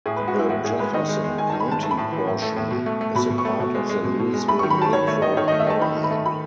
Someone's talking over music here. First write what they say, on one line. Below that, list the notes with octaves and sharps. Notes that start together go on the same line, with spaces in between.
The Jefferson County portion is a part of the Louisville Metro government.
A2 G#4
B4
G#3
F#4
G#3 E4
A2 F#4
A2 G#4
G#3 B4
D#3 D#5
G#3
G#3
D#3 G#5
A5
D#3
B5
G#3 A5
A3 A5
B5
A2 A5
E3
A2
A3
A2
B2
A3
A3
B2 B5
B2
C#6
A3
B2
G#3
G#3
B2
B2
G#3
A3 B5
C#6
D#3
B5
F#3 A5
D#3 C#5
A3 C#5
D#3 D#5
D#3 C#5
D#5
A3
E5
A3 A5
D#3 B5
D#3
B5
A3
D#3 B5